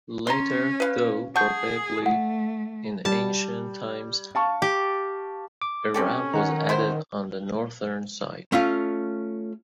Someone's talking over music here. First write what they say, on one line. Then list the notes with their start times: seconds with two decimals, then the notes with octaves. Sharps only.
Later, though probably in ancient times, a ramp was added on the northern side.
0.27 C#4 A#5 C6
0.80 B4 F5
1.36 G#4 F#5 A5 C#6 G6
2.06 A3 F#5
3.05 G3 A5
4.35 F5 A5 C#6
4.62 G4
5.62 D6
5.94 C4 C#4 G4 A4
6.33 D#3 F#5 A#5
6.69 E4 C5
8.52 A3 C#4 F4 F5